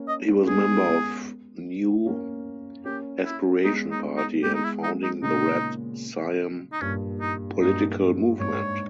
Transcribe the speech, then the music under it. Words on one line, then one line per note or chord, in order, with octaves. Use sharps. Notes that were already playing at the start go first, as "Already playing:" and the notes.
He was member of New Aspiration Party and founding the Red Siam political movement.
Already playing: A#3 C#4
D#5
G#3 B3 G#4
A#3 C#4
A#3 C#4 G4
E4
G#3 B3 D#4
D#4
D#4
G#3 B3 G4
D#4
E4
D#4
D#4
A#2 C#3 D#4
D#4
G2 A#2 C#4
D#4
G2 A#2 D#4
G#2 C#5